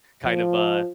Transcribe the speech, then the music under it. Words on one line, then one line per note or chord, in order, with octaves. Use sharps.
kind of, uh,
F3